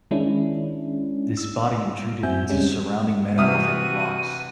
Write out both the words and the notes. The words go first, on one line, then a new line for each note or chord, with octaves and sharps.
This body intruded into surrounding metamorphic rocks.
D#3 G#3 C#4 D4 E4
E6
F#2 C4 F#4 E5 G#5 G6
G3 G#3 C#4
C3 E3 F#4 E5 D#6 F6 D#7